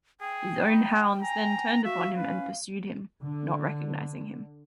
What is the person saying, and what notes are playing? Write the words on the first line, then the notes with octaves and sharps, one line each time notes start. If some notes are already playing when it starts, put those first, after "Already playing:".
His own hounds then turned upon him and pursued him, not recognizing him.
G#4 G5
D#4 B5
G#5 A#5
F#4 E5 F5
C#4 B4
D3